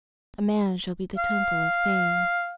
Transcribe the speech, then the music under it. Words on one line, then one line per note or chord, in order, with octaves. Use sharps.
A man shall be the Temple of Fame.
F5